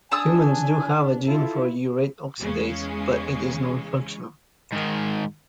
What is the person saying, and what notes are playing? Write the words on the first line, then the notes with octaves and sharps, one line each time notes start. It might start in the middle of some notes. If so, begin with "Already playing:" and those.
Humans do have a gene for urate oxidase, but it is nonfunctional.
D4 G#5 A5 D#6 E6
E4 F4 A4
E2 C#3 G#3 C#4
G#2 D#3